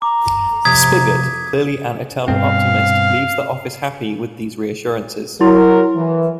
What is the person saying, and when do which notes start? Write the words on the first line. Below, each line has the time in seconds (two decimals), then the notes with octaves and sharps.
Spiggott, clearly an eternal optimist, leaves the office happy with these reassurances.
0.02 A#5 D6
0.65 F2 C3 G4 D#6 G#6 B6
2.28 G2 B2 C4 F5
5.41 F#3 E4 A#4 C6
5.95 E3